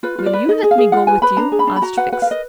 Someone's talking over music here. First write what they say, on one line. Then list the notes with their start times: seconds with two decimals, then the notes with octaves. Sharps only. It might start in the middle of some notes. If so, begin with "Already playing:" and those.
"Will you let me go with you?" asked Fix.
0.03 F4 B4
0.19 F4
0.26 D5
0.33 B4
0.49 D#4 D#5
0.63 G#4
0.71 F5
0.78 G#4
0.92 F4 F#5
1.07 B4 G#5
1.22 B4 B5
1.37 D4 A#5
1.52 G#4
1.59 B5
1.67 D4
1.76 B5
1.82 F#4 A#5
1.97 B4 F#5
2.12 B4 F#5
2.22 F5
2.26 A#4 D#5